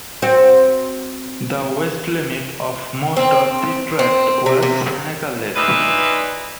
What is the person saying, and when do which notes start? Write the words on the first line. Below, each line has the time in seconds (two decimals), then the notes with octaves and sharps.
The west limit of most of the tract was Seneca Lake.
0.22 C4 F#4
3.17 C4
3.99 C4
4.46 C3
4.63 C3
5.55 E3 D#4 F4 B4 D5 E5